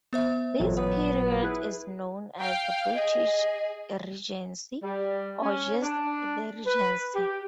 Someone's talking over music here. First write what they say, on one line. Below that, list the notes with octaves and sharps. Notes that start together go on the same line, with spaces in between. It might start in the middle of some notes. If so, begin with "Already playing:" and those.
This period is known as the British Regency, or just the Regency.
B3 C5 E5
A1 F2 A#2 F#3
B3 C#5
E4 G#4 B4
F5 G5
G#4 D#5
G3
C#4
D4
B4
G4